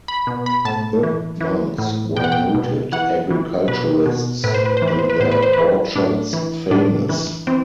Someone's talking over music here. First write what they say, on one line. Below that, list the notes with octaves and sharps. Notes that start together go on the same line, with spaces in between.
The monks were noted agriculturists and their orchards famous.
B5
B2
B5
A2 A5
E3
E3
A2
B2 G5
F#5
G5
B2
E3 F#5
E3
B2 B4
B2
A2 B4
C5
B4
C5
E3
B4
C5
B4
A2 C5
B4
C5
E3 B4
A2 D4
E3
A2 D4
E3
E3 C4